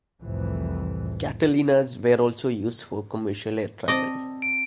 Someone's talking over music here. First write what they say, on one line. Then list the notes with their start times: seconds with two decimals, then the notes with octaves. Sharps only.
Catalinas were also used for commercial air travel.
0.22 C2 F2 A2 E3
3.88 C4 D5 D#5 A5
4.42 D7